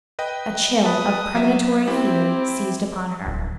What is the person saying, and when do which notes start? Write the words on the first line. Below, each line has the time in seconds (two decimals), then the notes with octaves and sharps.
A chill of premonitory fear seized upon her.
0.19 B4 D#5 G5
0.84 B4 A5 D#6
1.35 F#3 E5
1.87 C4 E4 G4
3.26 D1